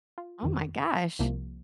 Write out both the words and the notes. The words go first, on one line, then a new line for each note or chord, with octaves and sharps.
Oh my gosh.
F4
G1 F2 D#3
C2 C3 F3 A#3